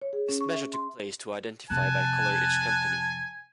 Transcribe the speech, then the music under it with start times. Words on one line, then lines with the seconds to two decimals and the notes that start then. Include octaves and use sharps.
This measure took place to identify by color each company.
0.02 C#5
0.13 G#4
0.29 C#4
0.41 C#6
0.53 E5
0.74 C6
1.70 F2 C3 G#5 A5 F#6